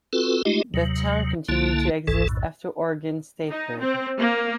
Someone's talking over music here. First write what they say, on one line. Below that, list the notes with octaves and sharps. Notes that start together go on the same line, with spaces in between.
The town continued to exist after Oregon statehood.
C4 F4 F#4 A4 B4
G#3 A3 D#4 F4 G4 D#5
D#2 C3 F#3
C2 D3 A#3 E4 A5
G#1 C#2 G#2 E3 A4
B1 F#2 A2
D#4
C4
A#3